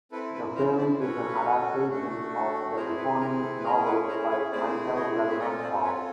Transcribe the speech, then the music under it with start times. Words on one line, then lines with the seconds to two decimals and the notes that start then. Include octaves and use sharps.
The film is an adaptation of the eponymous novel by Mikhail Lermontov.
0.12 C4 E4 A4 B4
0.34 A4 B4
0.56 A#4 C5
0.78 C5 D5
1.00 C#4 F#4 A4 B4 C#5
1.88 A3 D4 F#4 A4
2.76 C4 E4 G#4 A#4 C5
2.98 A4 B4
3.20 A#4
3.42 A4
3.59 B4
3.64 C#4 E4 G#4 A#4
3.86 A4 B4
4.01 C#5
4.08 A#4 C5
4.30 B4 C#5
4.51 A3 C4 E4 G#4 C5 D5
4.96 C#5 D#5
5.29 E5
5.40 C4 F4 A4 C#5 D#5
5.58 D#5
5.62 C5 D5
5.84 B4 C#5